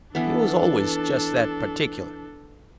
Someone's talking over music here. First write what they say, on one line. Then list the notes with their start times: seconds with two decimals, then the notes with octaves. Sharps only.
He was always just that particular.
0.15 E3 B3 D4 A4